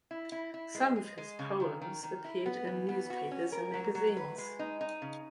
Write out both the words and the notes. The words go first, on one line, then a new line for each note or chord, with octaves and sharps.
Some of his poems appeared in newspapers and magazines.
E4
E4
E4
G#3
G#3
G#3
C#3
D#3
D#3
D#3
E4
B3
E3
B3
F#4
C#4
A#4
F#3
F#3
B4
G#3
D#4
D#4
C#3